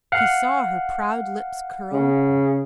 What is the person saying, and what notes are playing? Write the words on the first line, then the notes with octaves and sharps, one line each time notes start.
He saw her proud lips curl.
F5 F#5
C#3